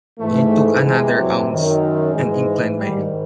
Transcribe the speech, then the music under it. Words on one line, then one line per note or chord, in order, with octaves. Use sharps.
I took another ounce, and inclined my head.
G#2 E3 A3
F2 C3 E3 G#3
F#3
F#2 D#3
G#2 E3 G#3
G#2 D#3 G3